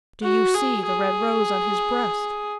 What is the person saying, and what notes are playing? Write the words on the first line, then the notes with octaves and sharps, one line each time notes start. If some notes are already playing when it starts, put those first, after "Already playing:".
Do you see the red rose on his breast?
F#4
G#4
G#4